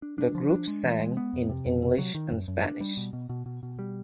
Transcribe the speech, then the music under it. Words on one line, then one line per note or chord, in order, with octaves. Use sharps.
The group sang in English and Spanish.
D4
D4
F3
D4
G#3
E3
G#3
B3
F2
C3
F2
C3
F#3
D#3
F#2
F#2
D4
G3
B2
B2
B2
B2
B2
G3